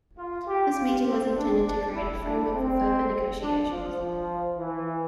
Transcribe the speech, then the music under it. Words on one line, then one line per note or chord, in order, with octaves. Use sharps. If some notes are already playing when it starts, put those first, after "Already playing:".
This meeting was intended to create a framework for further negotiations.
F4
G4
F4
C4
D4
D4
E4
D4
C4
D4
F3
F3
E3